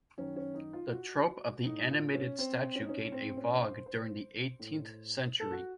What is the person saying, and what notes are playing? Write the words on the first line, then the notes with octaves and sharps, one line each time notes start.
The trope of the animated statue gained a vogue during the eighteenth century.
F#2 D#3 C#4
C#4
D#4
F4
F#4
A2 D#4
F4
C#4
C4
C#4
D#4
C#4
A2 C4
C#4
C5
C5
A2
A4
F#4